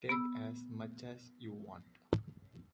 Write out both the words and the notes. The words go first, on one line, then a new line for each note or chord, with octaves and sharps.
Take as much as you want.
B3 B5 E6